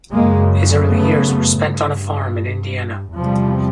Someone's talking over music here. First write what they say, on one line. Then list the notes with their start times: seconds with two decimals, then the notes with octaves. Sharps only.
His early years were spent on a farm in Indiana.
0.11 F#2 C#3 G#3 A#3
0.88 A3 B3
1.64 G2
3.17 E2 C3 F3 G3